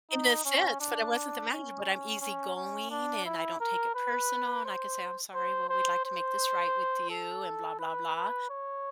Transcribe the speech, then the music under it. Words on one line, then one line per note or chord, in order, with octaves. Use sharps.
In the sense, but I wasn't the manager, but I'm easygoing, and I don't take it personal, and I can say, "I'm sorry, well, we'd like to make this right with you," and blah blah blah,
D#4
C#4
D4
C#4
C#4
C#4
D4
E4
A#4
B4
C5
C5
C5
C5
A4
B4
C#5